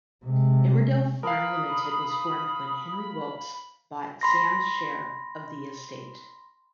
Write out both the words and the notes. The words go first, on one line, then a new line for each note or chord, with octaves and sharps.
Emmerdale Farm Limited was formed when Henry Wilks bought Sam's share of the estate.
C3 G#3
A#4 F5 B5 D#6
B5 C6 A#6